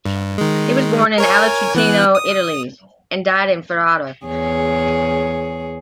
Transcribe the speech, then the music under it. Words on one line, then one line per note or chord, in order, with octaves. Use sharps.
He was born in Ala, Trentino, Italy and died in Ferrara.
G2
D#3 G#3
A#4 C#5 G#5
E3 B3 F#6
D#6
E2 G#4 C#5